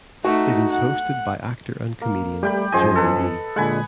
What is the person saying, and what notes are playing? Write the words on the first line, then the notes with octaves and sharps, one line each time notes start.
It is hosted by actor and comedian Gerry Dee.
A3 D#4 F#4 C#6
F#5
A#3
G3 A3 G4 G5 B5
F#2 F3 G#4 C5 D#5 G#5
A4 B4
A#2 D3 G#3 F#5 G#5 B5